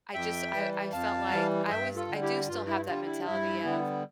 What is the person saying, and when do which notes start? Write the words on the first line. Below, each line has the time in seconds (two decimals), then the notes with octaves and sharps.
I just I I felt like I was I do still have that mentality of
0.14 F2 E5 G5
0.53 E3 G3
0.92 F2 F5 A5
1.31 E3 G3
1.70 G2 E5 G5
1.96 F4 A4
2.09 D3 G3
2.22 E4 G4
2.48 G2 F4
2.67 E4
2.87 D3 G3 F4
3.06 E4
3.26 G2 E4
3.64 D3 G3 B3